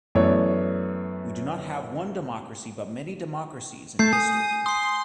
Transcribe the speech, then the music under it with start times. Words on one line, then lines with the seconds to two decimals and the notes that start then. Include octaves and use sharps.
We do not have one democracy but many democracies in history.
0.15 F#2 E3 A3 B3 C#5 D5
3.99 A3 G6 C7
4.13 G#5 D#6
4.66 C6 D#6 C7